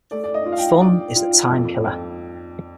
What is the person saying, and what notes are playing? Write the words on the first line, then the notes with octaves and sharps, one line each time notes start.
Fun is the time-killer.
A3 D5
D5
D#5
F4
F5
G5
D4 D5
F4
F2
F2